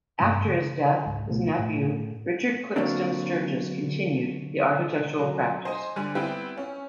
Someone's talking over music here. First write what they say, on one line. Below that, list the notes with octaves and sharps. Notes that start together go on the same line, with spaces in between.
After his death, his nephew Richard Clipston Sturgis continued the architectural practice.
G2 C3 G#3 C#4
C#3
G#1 C#2 G#3
C#2 B2 A3 B3
A2
D3 F#3 A#3 C4 D4
F#3
C5 D#5 G#5
D3 G3 G#5
G3 B3 C4 E4 G4 B4
C#4